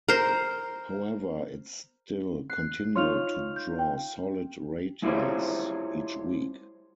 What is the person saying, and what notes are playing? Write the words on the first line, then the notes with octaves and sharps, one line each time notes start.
However, it still continued to draw solid ratings each week.
A#4 C5
F#6 C7
D#4 F4 C#5 C6 F6 F7
G6
G5
G#3 E4 F4 G4 C5 C#5